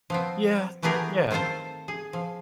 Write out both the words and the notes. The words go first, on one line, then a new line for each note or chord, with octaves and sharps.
Yeah, yeah,
F3 B3 C4
E3 A3 B3 G4 G#4 A#4
D#3 C4 F4 A4 C5
G#4
F3